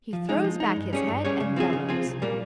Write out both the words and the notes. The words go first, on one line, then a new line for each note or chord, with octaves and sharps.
He throws back his head and bellows.
F3
G#3 D#4
F3
G#3 D#4
G2
G3 C#4 G#4 C#5
G2
G3 C#4 G#4 C#5
C#3
F3 C4 F4 G#4
C#3
F3 C4 F4 G#4
C2
A#2 G3 A#3